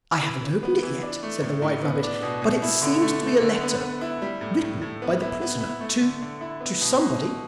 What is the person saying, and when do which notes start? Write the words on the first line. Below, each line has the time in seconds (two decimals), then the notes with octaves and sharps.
'I haven't opened it yet,' said the White Rabbit, 'but it seems to be a letter, written by the prisoner to--to somebody.'
0.23 E3
0.42 E3
0.63 B3
0.83 E3
1.02 D4
1.23 A3
1.42 A2
1.62 A2
1.82 B3
2.03 D4
2.22 B2
2.42 B2
2.62 E4
2.81 D3
3.02 A3
3.21 A3
3.42 D3
3.61 B3
3.81 B3
4.01 E4
4.22 G3
4.41 A2
4.62 A2
4.81 A2
5.02 B3
5.22 E4
5.41 B3
5.61 E4
5.81 A3
6.01 D3
6.22 D3
6.41 E4
6.61 B3
6.81 B2
7.01 B2
7.21 B2